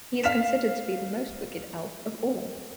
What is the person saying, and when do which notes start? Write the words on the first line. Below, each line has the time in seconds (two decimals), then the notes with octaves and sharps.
He is considered to be the most wicked elf of all.
0.24 F5 F6 B6 E7